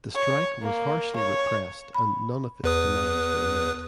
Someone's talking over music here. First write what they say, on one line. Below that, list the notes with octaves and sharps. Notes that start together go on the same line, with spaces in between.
The strike was harshly repressed and none of its demands were met.
C#5
A#3
C#5
B5
E2 B4 D#6